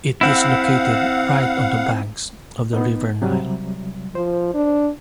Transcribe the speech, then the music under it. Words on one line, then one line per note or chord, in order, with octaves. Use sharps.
It is located right on the banks of the River Nile.
C4 E4 F5 F#5
B3 D#4
C3 F#3 G3
F3 C5
D4